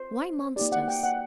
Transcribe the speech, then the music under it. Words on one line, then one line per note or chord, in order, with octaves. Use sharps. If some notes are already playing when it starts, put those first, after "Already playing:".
Why monsters?
Already playing: C5
A#3 D#4 G4 D5
F#5
G5
F#5